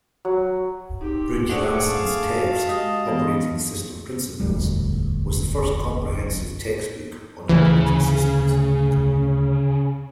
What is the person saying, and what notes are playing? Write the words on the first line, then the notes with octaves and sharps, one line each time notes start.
Brinch Hansen's text, "Operating System Principles", was the first comprehensive textbook on operating systems.
F#3
C4 D#4 G4
A3 D4 G#4 C5 D5 F#5 D6
F5 A5
F#4
G#3 G4 D#5 D#6
E3 B3
E1 A1 D2 G3
D2 A2 C#3 E3